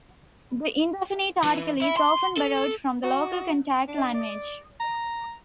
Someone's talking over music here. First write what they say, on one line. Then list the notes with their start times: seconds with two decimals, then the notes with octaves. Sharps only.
The indefinite article is often borrowed from the local contact language.
1.44 E3
1.82 E4
1.97 C6
2.38 A4
3.04 F#4
3.88 D4
4.14 D5
4.80 A#5